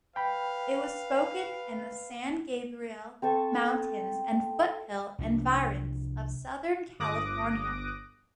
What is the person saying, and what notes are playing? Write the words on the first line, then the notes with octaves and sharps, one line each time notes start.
It was spoken in the San Gabriel Mountains and foothill environs of Southern California.
B4 F5 G5 B5
C4 A4 A5 C#6
C2 F3 C4 D4
G1 D6 D#6 F#6 A#6 D7